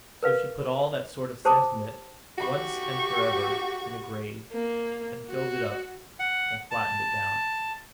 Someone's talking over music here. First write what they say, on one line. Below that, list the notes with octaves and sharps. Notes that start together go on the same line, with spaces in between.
So she put all that sort of sentiment, once and for ever, in a grave, and filled it up, and flattened it down.'
A#4 B4 F5
G4 C5 A5 D6 D#6
F#4 G4 C#6
A#3
F#4
F#5
A5